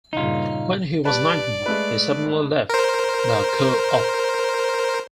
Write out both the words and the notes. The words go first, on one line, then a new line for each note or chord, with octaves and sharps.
When he was nineteen he suddenly left the Co-op.
G2 A#2 C#3 D#4 F4
G3 B4 D5 A5
G#3 A3 B4
A#4 C5